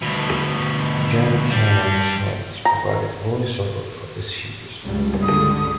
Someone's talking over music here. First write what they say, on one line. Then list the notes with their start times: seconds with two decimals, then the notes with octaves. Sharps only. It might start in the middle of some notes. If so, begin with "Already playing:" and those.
John Cameron Swayze provided voice-over for the series.
0.02 D2 B2
1.51 G3 D4
2.65 A#5
4.85 C#2 G2 G3
5.22 D3 D#6